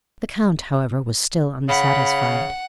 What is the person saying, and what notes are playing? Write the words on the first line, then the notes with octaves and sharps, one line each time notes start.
The Count, however, was still unsatisfied.
C#3 F#5 B5